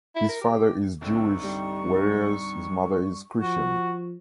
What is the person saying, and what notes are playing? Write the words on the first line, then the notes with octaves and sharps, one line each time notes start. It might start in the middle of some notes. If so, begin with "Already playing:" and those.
His father is Jewish, whereas his mother is Christian.
E4
A#4
G4
C2 D3 C4 D#4 C#6
G2
F3 F#4